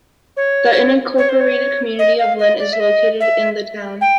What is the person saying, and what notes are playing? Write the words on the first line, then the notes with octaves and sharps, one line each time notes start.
The unincorporated community of Lynn is located in the town.
C#5
C#5
C5
C#5
D#5
F5
D#5
D5
E5
D#5
E5
G5